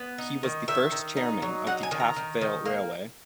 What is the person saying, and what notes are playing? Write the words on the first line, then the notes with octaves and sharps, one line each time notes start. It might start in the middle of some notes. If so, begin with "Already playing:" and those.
He was the first chairman of the Taff Vale Railway.
Already playing: B3
D#4
D#3
D#3 E5
D#3
D#4
F#3
D#4 F#5
G#5
D#3
A#5
D#3
D#3
A#3